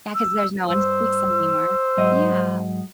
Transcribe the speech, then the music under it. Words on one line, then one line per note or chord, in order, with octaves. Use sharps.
Yeah, 'cause there's no one who speaks it anymore. Yeah.
E6
G2 C5 E6
G#2 F#3 D#5